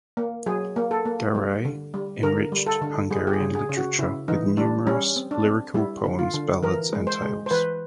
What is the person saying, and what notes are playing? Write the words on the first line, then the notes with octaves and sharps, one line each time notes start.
Garay enriched Hungarian literature with numerous lyrical poems, ballads and tales.
A#3
F#3 G#4
A#3
A4
A#3
G3
D3
G3
D3 A#4
G3
A4
D3
G3 G#4
G4
G#4
C#3
G#4
C#3
F#4
C#3 E4
E3 D#4
G3 D4
G3 C#4
C4
D4
C4
G3 E4
D3
F4
D3
E3 A#4
G#3
C5
G#3
C5
E3 B4